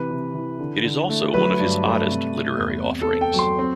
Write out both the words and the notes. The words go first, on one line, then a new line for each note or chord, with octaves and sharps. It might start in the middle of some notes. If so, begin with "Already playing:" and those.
It is also one of his oddest literary offerings.
Already playing: C3 E3 B4
C3
E3
D3
D3
A3
F#3 B4
G2
A3
C3
C3
E2
C4
A4
C4
G5
F#3
C6
C4